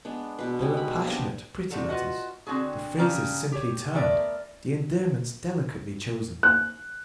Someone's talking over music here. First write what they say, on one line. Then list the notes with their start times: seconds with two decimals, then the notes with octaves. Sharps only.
They were passionate, pretty letters,--the phrases simply turned, the endearments delicately chosen.
0.05 G#3 B3 D4
0.39 B2 B4
0.59 G3 G#3 D#4
0.77 B5
0.96 A#3 G#4
1.07 B3 D4 G4 C5
1.70 C3 D#3 G3 F#4 A4
1.89 F4 F#4 B4 D#5 F#5
2.47 D3 C4 C#4 F#4 G#4
2.98 C#3 G3 C#4 G4 A5 A#5
3.52 G4 C#5
3.93 A3 B3 A#4 C5 D5 E5
6.43 F#6